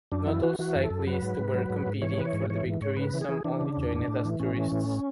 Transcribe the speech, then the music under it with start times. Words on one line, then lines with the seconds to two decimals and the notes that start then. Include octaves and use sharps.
Not all cyclists were competing for the victory; some only joined as tourists.
0.12 F#2 D4
0.27 E3 E4
0.43 E3 F#4
0.59 E3 F#4
0.75 F#2
0.83 A4
0.90 F#2
1.07 F#3 B4
1.23 G#2
1.39 G#2
1.54 F#3
1.70 G#2
1.87 G#2
2.02 E3 C#5
2.18 E3 B4
2.25 C#5
2.33 G#2
2.50 E3 C#5
2.66 G#2
2.81 G#2 C#5
2.97 C#3 B4
3.14 E3
3.21 G#4
3.29 E3
3.44 E3 D4
3.61 C#3
3.77 E2
3.93 A2
4.08 A2
4.25 E3
4.40 A2 C#4
4.57 E3
4.72 A2